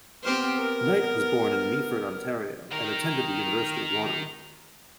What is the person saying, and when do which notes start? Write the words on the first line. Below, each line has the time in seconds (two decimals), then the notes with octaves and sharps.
Knight was born in Meaford, Ontario and attended the University of Waterloo.
0.24 B3 C4 G4 C5 F6
0.57 A#4
2.72 D#3 A#4